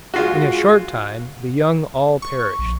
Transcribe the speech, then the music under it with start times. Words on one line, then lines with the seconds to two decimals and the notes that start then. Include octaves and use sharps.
In a short time the young all perished.
0.14 G#3 F4 F#4
2.22 C#6
2.59 A#1